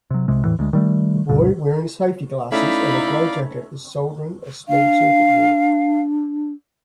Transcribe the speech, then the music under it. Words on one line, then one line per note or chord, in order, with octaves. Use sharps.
A boy wearing safety glasses and a gray jacket is soldering a small circuit board.
C3 F#3
C2 C3 G#3
E2 A2 E3
D2 G#3
D#3 G3 A3
D2 G2 B2
A3 C#4 D#4 E4 D5 E5 F5 B5
D4 F5